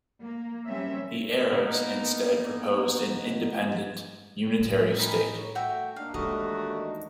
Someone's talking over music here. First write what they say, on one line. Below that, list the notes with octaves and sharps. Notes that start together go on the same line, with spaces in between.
The Arabs instead proposed an independent unitary state.
A#3
F#3 G3 A#3 C4 C#4 E5
A#3 B3 D#4 A#4
A2 G3
C#4 D#4 A#4 G5 B5
C#5
A3 F#4 E5 G5
A#3 D4 D#4 F5
D#2 E3 G#3 A3 F#4 D#5